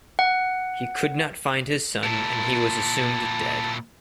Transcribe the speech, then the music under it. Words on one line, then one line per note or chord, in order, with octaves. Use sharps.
He could not find his son and he was assumed dead.
F#5
A#2 E4 A5 A6